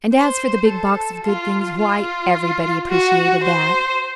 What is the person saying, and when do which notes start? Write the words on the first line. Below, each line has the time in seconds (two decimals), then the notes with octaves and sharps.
And as for the big box of good things, why, everybody appreciated that.
0.14 C5
0.69 A4
1.25 F4
1.79 F4
2.89 F#4
3.44 C5